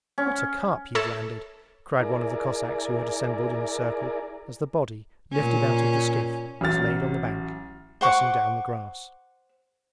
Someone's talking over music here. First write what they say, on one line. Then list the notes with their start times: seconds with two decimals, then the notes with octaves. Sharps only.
'What a carp you've landed!' cried one of the Cossacks who had assembled in a circle, as the body, lifted out of the skiff, was laid on the bank, pressing down the grass.
0.18 C#4
0.95 A4 C#5 E5 A5
2.00 E4 G#4 A#4 D5
5.33 A#2 C#4
6.61 A1 F#3 F6 A6
8.01 C5 F#5 C#6 D6